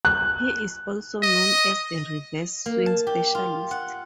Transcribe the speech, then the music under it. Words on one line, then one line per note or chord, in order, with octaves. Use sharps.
He is also known as a "reverse swing specialist".
F#6
D#5
A#3
A5
G4
F4
F#5